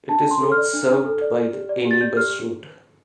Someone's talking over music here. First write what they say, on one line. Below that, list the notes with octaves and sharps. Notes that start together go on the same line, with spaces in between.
It is not served by any bus route.
D4 A5
D4
C6
A4
F6
D5
D4
D4
A4
D5
D5
G4
D5
G4
A6
D5 G6
G4 F6